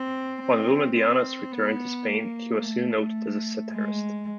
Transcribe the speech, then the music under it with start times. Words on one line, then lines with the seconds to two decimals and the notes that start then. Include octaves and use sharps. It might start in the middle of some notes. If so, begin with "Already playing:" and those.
On Villmediana's return to Spain, he was soon noted as a satirist.
Already playing: C4
0.42 C4
0.97 C4
1.52 B3
2.07 A#3
2.62 A3
3.72 G#3